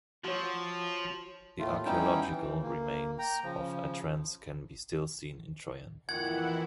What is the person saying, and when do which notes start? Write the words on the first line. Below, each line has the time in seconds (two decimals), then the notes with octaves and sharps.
The archaeological remains of Atrans can be still seen in Trojane.
0.24 F3 F#4 C#5
1.59 D#2 A2 A3 F4
1.85 G3 B3 C#4 D#4 E4 G5
2.29 E3
2.62 A#3
3.18 G5 A#5
3.44 C#3 F3
6.09 F2 A#2 D#3 E3 E4 F#5 G#6